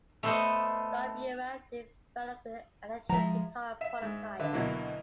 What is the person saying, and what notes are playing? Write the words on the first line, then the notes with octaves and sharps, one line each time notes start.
Dopyera developed an electric guitar prototype.
A3 B3 A4 C5 D#5
F3 G#3 E5 A#5
E5 B6 E7
G#2
D3 B4 E5 F5
D2 B2 F#3 A#3 E4 G#6